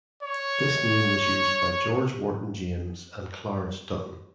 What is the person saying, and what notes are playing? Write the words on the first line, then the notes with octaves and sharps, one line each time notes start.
This name was used by George Wharton James and Clarence Dutton.
C#5